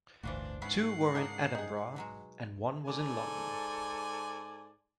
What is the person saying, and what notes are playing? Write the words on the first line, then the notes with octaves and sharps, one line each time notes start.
Two were in Edinburgh and one was in London.
G1 D2 A2 E3 D4 F4 F#4 C5
G#2 B3 C#4 E4 F#5 C7
C#3 D4 D#4 A#4 A5
C3 D#4 G#4
B2 F#3 G#3
G#2 A4 D5 G#5